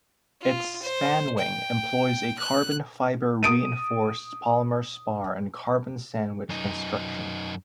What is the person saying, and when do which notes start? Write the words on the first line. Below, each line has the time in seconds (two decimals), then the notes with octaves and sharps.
Its span wing employs a Carbon-fiber-reinforced polymer spar and carbon sandwich construction.
0.41 F4
0.82 C5
1.38 G5
2.38 F#6
3.43 D#6 D7 D#7
6.49 F#2 D#4